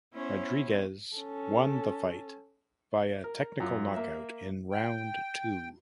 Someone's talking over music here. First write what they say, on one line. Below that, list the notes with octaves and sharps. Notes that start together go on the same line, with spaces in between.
Rodriguez won the fight via technical knockout in round two.
B3 C#4 E4 C5 C#5
C#4 A4
A#4
F#2 F4
A#3 E5
G5